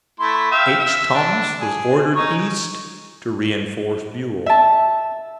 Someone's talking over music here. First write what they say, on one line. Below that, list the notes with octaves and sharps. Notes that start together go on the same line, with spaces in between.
H. Thomas was ordered east to reinforce Buell.
A3 E4 C6
E5 F5 G5
E5
D4
G#4
D#4 C#5 C#6
E5 A5